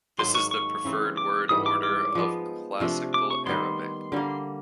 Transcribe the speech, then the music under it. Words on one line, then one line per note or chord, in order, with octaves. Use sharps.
This is the preferred word order of Classical Arabic.
G#2 D#3 F#3 A#3 C6
C#6
C#6
C#3 E3 A3 C4
D6
G#2 E3 G3 D#6
D6
D6
F3 G#3 B3
C3 F3 A3 D4
D6
C#6
D#3 G3 B3 C6
D3 G3 A#3